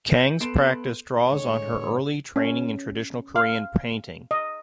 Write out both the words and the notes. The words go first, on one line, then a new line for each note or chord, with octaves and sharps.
Kang’s practice draws on her early training in traditional Korean painting.
G6 C#7 F#7
B3 A4 C6 C7 D7 E7
A2 D3 G#3 C#5
C#4
F5
D#5